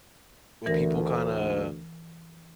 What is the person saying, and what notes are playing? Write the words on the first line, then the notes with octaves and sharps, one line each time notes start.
when people kinda
D2 E3 A#4 A#6